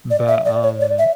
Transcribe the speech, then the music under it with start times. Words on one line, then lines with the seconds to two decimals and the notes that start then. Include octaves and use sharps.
But, um
0.10 D5
0.28 E5
0.45 D5
0.63 C#5
0.81 D5
0.99 E5